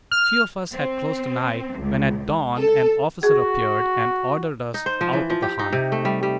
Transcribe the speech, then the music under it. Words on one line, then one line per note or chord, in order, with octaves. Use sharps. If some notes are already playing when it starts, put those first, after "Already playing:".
Few of us had closed an eye when, at dawn, an officer appeared and ordered us out of the Han.
F6
C4
C#2
A4
F#4 G#4
D#4
C5
F3
E3
F3
G4
D#4
C3
A3
G3
G3